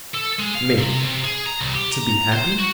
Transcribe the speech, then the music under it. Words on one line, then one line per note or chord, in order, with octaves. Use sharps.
ME: To be happy?
A4
G#3
F5
C3
C3
G#4
A#5
C2
G4
A#5
C5
F#4